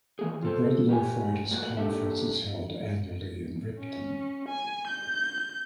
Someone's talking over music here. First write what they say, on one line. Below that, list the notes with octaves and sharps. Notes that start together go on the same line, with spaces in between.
The Bread Loaf Writers' Conference is held annually in Ripton.
E3 A#3 G#4
F4 A4 C5
A2 G4 B4 G#5
A2 A#3 F#4
A#3 D4 G4 A4 E5
C#4
G#5
G6